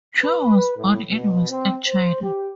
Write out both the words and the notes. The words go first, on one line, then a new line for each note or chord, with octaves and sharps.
Chu was born in Western China.
B4
A2
B2
C4
C5
G4